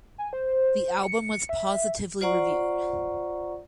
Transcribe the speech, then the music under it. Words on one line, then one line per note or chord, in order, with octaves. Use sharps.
The album was positively reviewed.
G#5
C5
C#7
E5
F4 C5 D5 F#5 A#5 C#6